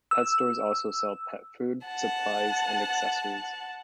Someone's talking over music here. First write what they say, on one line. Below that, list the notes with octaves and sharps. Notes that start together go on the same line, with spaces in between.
Pet stores also sell pet food, supplies, and accessories.
E6
F#5 A5